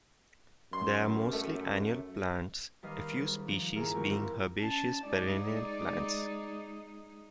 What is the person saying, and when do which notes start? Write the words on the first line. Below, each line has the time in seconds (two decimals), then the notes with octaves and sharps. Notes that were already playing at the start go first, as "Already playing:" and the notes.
They are mostly annual plants, a few species being herbaceous perennial plants.
0.73 F#2 C6
1.33 A3
2.83 D#2 G3 B4 D#5 F6 C7
3.11 F#1 A6
3.46 F3
3.76 D#1 G2 A#3 E4 G#4 A#4
3.92 D3 G#3 A3 C4 F#4 A#4
4.11 G3 C4 E4 F4
4.60 C#4 A5
5.07 G#3 D#4 D5